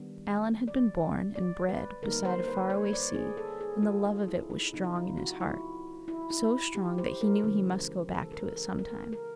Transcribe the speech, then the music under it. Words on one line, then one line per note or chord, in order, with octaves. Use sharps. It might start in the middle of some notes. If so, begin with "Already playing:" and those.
Alan had been born and bred beside a faraway sea and the love of it was strong in his heart--so strong that he knew he must go back to it sometime.
Already playing: D#3 G3 B3 D4
D5
D5
B4
D3 G3 A#3 D#4 A#4
C5
B4
C#5
D5
G#4
A4
G#4
F4
D#4
E4
D#4
C#3 F#3 A3 C4 D#4
E4
F4
F#4
E4
E4
E4
G4
C5
A#4
C#3 E3 G#3 C#4
A4
A#4
A#4
A#4
A#4